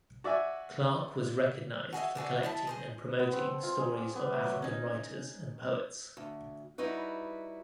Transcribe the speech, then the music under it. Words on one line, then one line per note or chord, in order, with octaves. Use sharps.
Clarke was recognized for collecting and promoting stories of African writers and poets.
F#4 D5 E5 G#5
F#4 G#4 D#5 E5
F#4 G#4 D5 E5
E4 D#5 A5
G#4 C5 D#5
B3
C4
A4
F4
G#4
D6
B3
A3
F#3
C#4 D#4
D2
G3 D#4 E4 F#4 B4